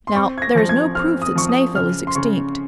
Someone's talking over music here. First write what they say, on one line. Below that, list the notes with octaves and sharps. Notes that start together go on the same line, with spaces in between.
Now, there is no proof that Snaefell is extinct.
C6
C4 C#6
G#6
A#6
F3 A#6
G#6
C4 F6
D#6
F3 C#6
D#6
C#3 F6
C6
C#3 C#6